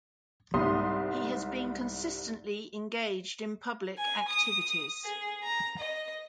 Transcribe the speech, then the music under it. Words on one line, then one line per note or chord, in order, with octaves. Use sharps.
He has been consistently engaged in public activities.
C2 G#2 G3 C6 D#6
G#5
D#6
G#4
A#5
D#5